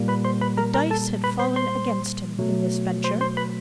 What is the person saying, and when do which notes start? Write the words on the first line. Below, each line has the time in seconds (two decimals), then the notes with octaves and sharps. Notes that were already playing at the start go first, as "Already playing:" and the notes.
The dice had fallen against him in this venture.
Already playing: A#2 G3 A#3
0.08 B4 B5
0.25 C5 C6
0.41 B4 B5
0.57 A#4 A#5
0.74 A#4 A#5
0.90 A4 A5
1.24 B4 B5
1.39 C5 C6
1.56 C5 C6
2.39 B2 F#3 A3
3.04 C5 C6
3.21 C5 C6
3.37 B4 B5